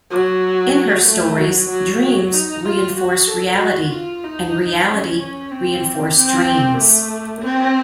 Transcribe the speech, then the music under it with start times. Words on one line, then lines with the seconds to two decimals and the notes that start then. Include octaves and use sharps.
In her stories dreams reinforce reality and reality reinforce dreams.
0.10 F#3
1.06 A3
1.38 F#3
1.69 F#3
2.02 F#3
2.34 D#4
2.65 F4
2.96 F#4
3.28 A4
3.60 F#4
3.92 F4
4.24 D#4
4.87 C#4
5.19 C#4
5.51 C4
6.15 C4
6.78 A3
7.42 C4